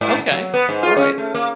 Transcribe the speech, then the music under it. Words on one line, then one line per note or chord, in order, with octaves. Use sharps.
Okay. Alright.
G#2
F#3
B3
G#2
F4
C#4
A3
A#3